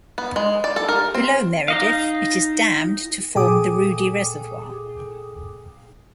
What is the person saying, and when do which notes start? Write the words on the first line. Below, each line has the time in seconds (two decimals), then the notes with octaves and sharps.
Below Meredith, it is dammed to form the Ruedi Reservoir.
0.18 B3
0.36 G#3
0.64 D5
0.76 A4
0.89 A#4
1.14 C4
1.68 D#4 D#5 F5
3.35 A#2 G#4 G5 G#5 D6 D#6